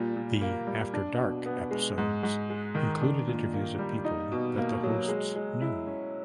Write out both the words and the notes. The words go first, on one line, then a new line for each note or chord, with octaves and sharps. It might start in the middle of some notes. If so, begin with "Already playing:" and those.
The "After Dark" episodes included interviews of people that the hosts knew.
Already playing: A#2 G3
A#2
A#3
G3
D4
B2
B3
G#3
G#2
G#2
G#3
D#3
D4
A#2
A#3
G3
D#4
B2
A#3
F#3
G#3
G#3
E4
C#4